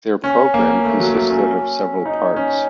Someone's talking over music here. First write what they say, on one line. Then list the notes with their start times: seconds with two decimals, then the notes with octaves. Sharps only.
Their program consisted of several parts.
0.24 C#4
0.54 A#3
0.85 A3
1.00 F#3
1.15 A3
1.30 C#4
2.05 D#4
2.36 C#4